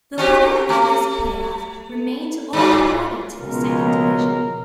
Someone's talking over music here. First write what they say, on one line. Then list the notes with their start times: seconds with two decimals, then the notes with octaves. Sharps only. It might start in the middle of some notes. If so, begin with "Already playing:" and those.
The winner of this play-off remained or promoted to the second division.
0.18 C4 F#4 G4
0.69 A3
2.53 G2 F#3
3.41 C#2 B2 F3 B3 A#4